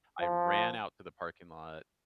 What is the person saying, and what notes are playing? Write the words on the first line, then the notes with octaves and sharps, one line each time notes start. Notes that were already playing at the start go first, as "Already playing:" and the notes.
I ran out to the parking lot.
F3